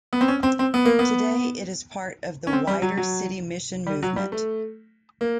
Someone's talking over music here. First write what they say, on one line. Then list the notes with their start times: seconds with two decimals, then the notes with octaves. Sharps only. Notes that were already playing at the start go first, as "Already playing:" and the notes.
Today it is part of the wider City Mission Movement.
0.13 B3
0.21 C4
0.28 C#4
0.43 C4
0.59 C4
0.74 B3
0.85 A#3
0.99 B3
2.47 C#4
2.53 C4
2.67 G3
2.82 F#3
2.97 F#3
3.87 G3
4.03 F#3
4.16 G3
4.32 A3
5.21 A#3